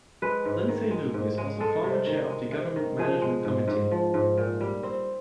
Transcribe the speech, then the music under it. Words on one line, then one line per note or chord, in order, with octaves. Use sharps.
Lindsay Luby is also a former Chair of the Government Management Committee.
G#3 B4
G#2
D#3
G#3
G#2
G#3
G#3 A4
C3
D#3
G#3
C3
D#3
F3 G#4
G#3
G#2
G#2
F3
G#2
A#2
G3
C4